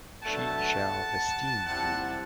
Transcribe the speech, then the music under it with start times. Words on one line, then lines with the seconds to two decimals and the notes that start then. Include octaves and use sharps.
She shall esteem you.
0.23 B2 F#3 A3 D4 F#5 A5
1.66 C3 G3 C4 E4 F#5 A5